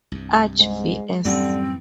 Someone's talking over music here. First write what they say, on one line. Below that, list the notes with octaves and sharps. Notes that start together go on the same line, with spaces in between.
Archie vs.
C2 G2
G#2 G#3
F#2 A2 D3 E3 G3 C4